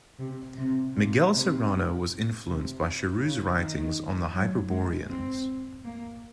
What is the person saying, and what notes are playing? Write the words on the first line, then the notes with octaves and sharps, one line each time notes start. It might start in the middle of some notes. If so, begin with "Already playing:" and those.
Miguel Serrano was influenced by Charroux's writings on the Hyperboreans.
C3
C3
A#2
C3
C3
C#3
D#3
F#3
G#3
C4
A#3